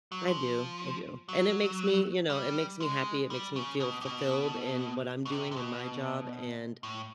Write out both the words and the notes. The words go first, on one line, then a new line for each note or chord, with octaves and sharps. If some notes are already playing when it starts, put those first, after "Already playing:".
I do, I do. And it makes me, you know, it makes me happy, it makes me feel fulfilled in what I'm doing in my job and,
F#3
F3
F#3
G3
G#3
G3
C#3
B2
C3
B2
B2
C3
C3
B2
A2